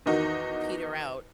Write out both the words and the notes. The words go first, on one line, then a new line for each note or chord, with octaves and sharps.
peter out
E2 D#3 D#4 F#4